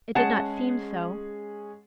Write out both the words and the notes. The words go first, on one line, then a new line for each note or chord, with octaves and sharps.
It did not seem so.
G#3 C#4 G#4 F#5 A5